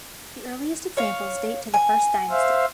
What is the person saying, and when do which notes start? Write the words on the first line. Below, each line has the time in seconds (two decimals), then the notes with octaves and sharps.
The earliest examples date to the First Dynasty.
0.97 C#5 F5
1.74 G#5
2.30 C5 E5 F5